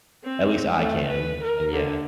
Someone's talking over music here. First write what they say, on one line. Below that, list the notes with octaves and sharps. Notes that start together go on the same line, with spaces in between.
at least I can, and yeah.
C4
A3
B4
A#4
D3